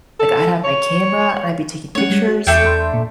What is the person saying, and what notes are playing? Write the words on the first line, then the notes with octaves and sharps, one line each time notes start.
Like, I'd have my camera, and I'd be taking pictures,
A4
C#5
A3 C#4 C#5 F#5
G3 G#3
F#4
E2 A3 D4 G5
E2 B5 C6
A#2